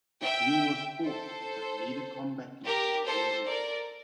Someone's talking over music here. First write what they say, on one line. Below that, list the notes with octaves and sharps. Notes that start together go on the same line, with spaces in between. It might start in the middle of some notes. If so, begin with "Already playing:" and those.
The duel was fought, but neither combatant was injured.
E5 G5
A4 C5
G4 A#4
A4 C5
A#4 D5